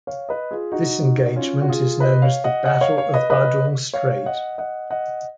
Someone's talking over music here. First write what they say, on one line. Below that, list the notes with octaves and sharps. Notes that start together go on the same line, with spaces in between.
This engagement is known as the Battle of Badung Strait.
C#5 F5
B4 D#5
F4 G#4
D#4 F#4
C#4 F4
F#4
F4 G#4
B4 D#5
C#5 F5
D#5 F#5
D#5 F#5
C#5 F5
C#5 F5
B4 D#5
B4 D#5
C#5 F5
D#5 F#5
D#5 F#5
D#5 F#5